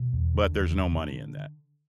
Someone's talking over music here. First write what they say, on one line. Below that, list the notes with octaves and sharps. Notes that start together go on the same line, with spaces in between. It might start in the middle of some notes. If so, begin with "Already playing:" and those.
but there's no money in that."
Already playing: B2
E2
D3
E2
D3
D3